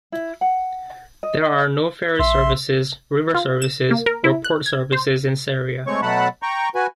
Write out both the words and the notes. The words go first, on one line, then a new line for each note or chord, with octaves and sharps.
There are no ferry services, river services or port services in Seria.
E4
F#5
D#5
A#1 E5 C6
F4
E7
A#3
A#4
E4
F#6
G#6
C5
G#3 A3 C4 C#5 C#6
B2 F#3 A3 F#5 A5 B5
G5 A#5 C#6
F#4 B4 G#5